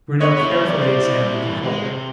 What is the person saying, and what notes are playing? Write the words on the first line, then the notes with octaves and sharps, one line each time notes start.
Bruno carefully examined the hole.
B3 C#5 D#5
C#5
E4
C#5
G3
C5 D5
C4 C5 D5
E4
G3
E3
G#3
C3